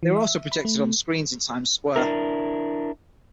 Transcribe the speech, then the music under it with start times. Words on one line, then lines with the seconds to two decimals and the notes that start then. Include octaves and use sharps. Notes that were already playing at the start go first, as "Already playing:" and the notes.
They were also projected on screens in Times Square.
0.03 E3
0.16 E5
0.52 B5
0.65 A3
1.96 D4 E4 A#4